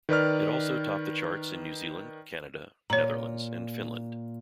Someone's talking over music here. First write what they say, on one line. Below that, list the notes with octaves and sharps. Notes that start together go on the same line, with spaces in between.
It also topped the charts in New Zealand, Canada, Netherlands and Finland.
D#3 B4 D5 F6
A#2 C#5 A#5